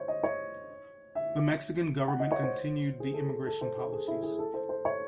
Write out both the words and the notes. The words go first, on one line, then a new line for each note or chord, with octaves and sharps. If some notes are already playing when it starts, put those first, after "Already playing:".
The Mexican government continued the immigration policies.
Already playing: C5 C#5
D#5
C#5
E5
F#5
D#5
C#5
C5
G#4
A4
G#4
A4
C5
A4
G#4
E4
G#4
A4
C5
C5
C#5